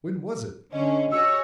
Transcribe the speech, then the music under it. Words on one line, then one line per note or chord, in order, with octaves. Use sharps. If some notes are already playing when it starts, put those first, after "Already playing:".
When was it!
D3 C#4 D#5
F#4 G#4 C#5 E6